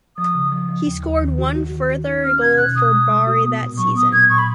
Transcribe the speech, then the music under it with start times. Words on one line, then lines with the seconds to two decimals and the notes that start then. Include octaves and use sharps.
He scored one further goal for Bari that season.
0.17 F3 D#6
0.35 C#3
0.52 F3
0.69 F3
0.87 D#2
1.04 D#2
1.21 D#3
1.38 F#4
1.55 F#4
1.71 D#3
1.89 F#4
2.06 D#4
2.23 C#4 F6
2.41 B2 G#6
2.57 B2 F#6
2.76 B2 D#6
2.92 G#3
3.10 B2
3.27 F#4
3.44 B3
3.61 A#2
3.78 F#3 C#6
3.95 B3 D#6
4.13 A#2 G#6
4.30 A#2 C#6
4.38 B5